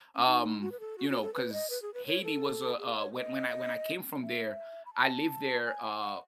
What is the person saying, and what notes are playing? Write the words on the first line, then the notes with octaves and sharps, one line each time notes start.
um, you know, 'cause Haiti was a a when when I when I came from there, I lived there, uh,
C#4
D#4
F#4
B4
A4
F#4
F#4
A4
B4
D#5
B4
G#4
B4
C#5
A4
G#4
C#5
D#5
E5
B5
A5
G#5
F#5